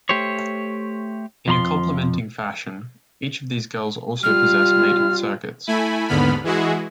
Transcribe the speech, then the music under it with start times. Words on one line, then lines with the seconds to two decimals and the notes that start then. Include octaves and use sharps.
In a complementing fashion, each of these girls also possess maiden circuits.
0.09 A3 G4 C5 C#5
1.48 F2 F3 A#5 C6
4.23 G3 F4 F6
5.67 A3 E4 G#5 B5
6.08 D#2 G#2 D3 B3 B5 F6
6.44 E3 G#3 E4 F#4 G#4